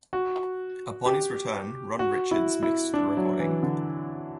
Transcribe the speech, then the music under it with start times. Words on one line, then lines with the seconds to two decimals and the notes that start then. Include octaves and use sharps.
Upon his return, Ron Richards mixed the recording.
0.13 F#4
1.06 G4
1.99 F#4
2.31 E4
2.63 E4
2.94 D4
3.17 F#3
3.40 E3
3.63 D3